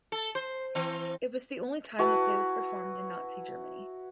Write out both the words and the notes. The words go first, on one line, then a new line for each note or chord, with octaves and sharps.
It was the only time the play was performed in Nazi Germany.
A4
C5
E3 C4
E4 F#4 B4 A5